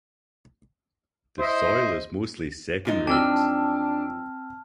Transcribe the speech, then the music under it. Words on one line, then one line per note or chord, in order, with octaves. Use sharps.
The Soil is mostly second rate.
E4 C5 D#5
F#2 F3 D#4
C4 D4 A5 E6 F6